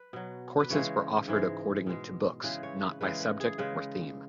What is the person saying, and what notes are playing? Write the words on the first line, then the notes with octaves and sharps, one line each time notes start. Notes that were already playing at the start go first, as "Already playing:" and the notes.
Courses were offered according to books, not by subject or theme.
Already playing: B4
B2 F#3
B4
C#3 E3 G#3 C#5
G#2 E3 G#3
B2 G#3
C#3 E3 G#3 B4
C#5
B4
C#3 E3 G#3 B4
B4
G#4
C#3 G#3 B4